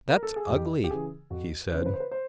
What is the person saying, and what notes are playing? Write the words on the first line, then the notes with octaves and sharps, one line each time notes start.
"That's ugly," he said.
A#4
A4
G#4
F2 G4
G4
C#3 E3 G#4
F2 F#4
C#3 E3 B4
C5
B4
C5
B4
C5